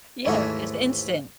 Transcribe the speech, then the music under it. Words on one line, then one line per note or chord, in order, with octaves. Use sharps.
Yeah, and it's instant.
D#2 G#2 E3 A3 G#4 F5